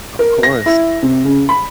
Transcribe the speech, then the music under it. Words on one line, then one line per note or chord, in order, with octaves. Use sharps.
Of course,
A#4
A#6
E4
C3
C#3
B5